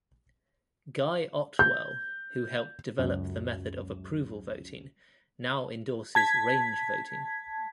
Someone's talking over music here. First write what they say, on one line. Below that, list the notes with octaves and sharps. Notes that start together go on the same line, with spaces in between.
Guy Ottewell, who helped develop the method of approval voting, now endorses range voting.
G6
C#2 F#2
A5 G#6 B6